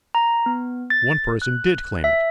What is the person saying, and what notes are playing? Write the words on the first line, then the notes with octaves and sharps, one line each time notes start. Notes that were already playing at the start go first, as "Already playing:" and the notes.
One person did claim it.
A#5
B3
A6
F#6
E5